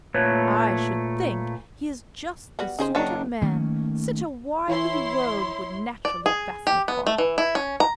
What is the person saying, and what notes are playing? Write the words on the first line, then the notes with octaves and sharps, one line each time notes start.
'I should think he is just the sort of man such a wily rogue would naturally fasten upon.'
A#2 A3 B4 C#5
G3 B3 F#4
C#3 D#4 G#4 C5
F#1 D#3 F#3 D4
D#3 A3 A#3 C#4
E3 E4 C#5 C6
D5
G#4
G4
B3
A3
E3
E4
C#4
A#5